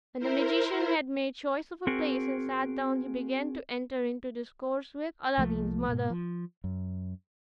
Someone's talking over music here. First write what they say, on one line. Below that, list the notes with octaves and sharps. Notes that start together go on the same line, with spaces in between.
When the magician had made choice of a place, and sat down, he began to enter into discourse with Aladdin's mother.
E4 A#4 C5
C4 F#4 G#4 A#4
C2 F3 A3 A#3
G#2 B2
F3
F#2